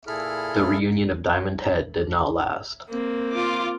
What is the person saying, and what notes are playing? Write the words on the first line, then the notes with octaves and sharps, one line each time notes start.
The reunion of Diamond Head did not last.
A#2 E4 G#4 A4 B5 F6
A#3 C4
F4 D6